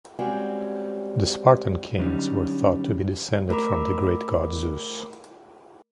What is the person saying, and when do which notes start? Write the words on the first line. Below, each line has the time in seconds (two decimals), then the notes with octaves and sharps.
The Spartan kings were thought to be descended from the great god Zeus.
0.19 G3 G#3 C4 C#4 F#4
1.98 D3 F#3 G3 C#4 D#4
3.49 A3 A#4 A#5 B5 D6